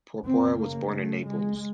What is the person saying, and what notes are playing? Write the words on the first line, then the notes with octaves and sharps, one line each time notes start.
Porpora was born in Naples.
F#2 C#3 C4
A#3
A3
G#3